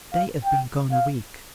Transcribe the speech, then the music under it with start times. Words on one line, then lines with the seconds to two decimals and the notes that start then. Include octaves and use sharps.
'They have been gone a week.
0.13 F5
0.45 G5
0.92 F5